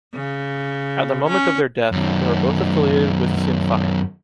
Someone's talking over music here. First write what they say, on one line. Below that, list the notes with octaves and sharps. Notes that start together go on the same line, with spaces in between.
At the moment of their death, they were both affiliated with Sinn Féin.
C#3
C#4
F#2 D#3